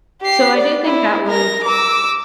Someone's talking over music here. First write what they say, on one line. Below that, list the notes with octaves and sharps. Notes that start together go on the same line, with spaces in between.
So I do think that would
G4 C7
D5
E4
A#4 A#6
D6 E6